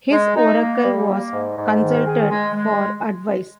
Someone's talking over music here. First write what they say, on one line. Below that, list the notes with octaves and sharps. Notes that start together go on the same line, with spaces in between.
His oracle was consulted for advice.
G#3
D#4
A#3
G3
A#3
G#2
G#2
D#3
G#4
G#3
G#3